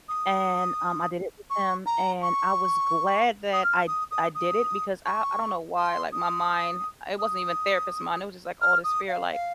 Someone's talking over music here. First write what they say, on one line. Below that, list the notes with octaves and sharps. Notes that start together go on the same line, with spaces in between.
and, um, I did it with him and I was glad that I I did it because I I don't know why, like my mind it wasn't even therapist mind, it was just like all this fear like,
D#6
C#6
A#5
C#6
D#6
F6
D#6
D#6
D#6
C#6
C6
D#6
D#6
F6
D#6
F5
F5